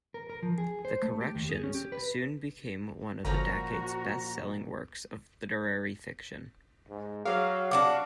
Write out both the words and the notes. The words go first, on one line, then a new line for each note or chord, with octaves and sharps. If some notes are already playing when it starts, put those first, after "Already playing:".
"The Corrections" soon became one of the decade's best-selling works of literary fiction.
A#4
A#4
F3
G#4
C5
A3
G4
D#2
G#4
C#4
G4
B4
G1 A#2 F3 C#4 F#4 A#5
G#2
F#3 G#4 F5
D4 F#4 G4 D6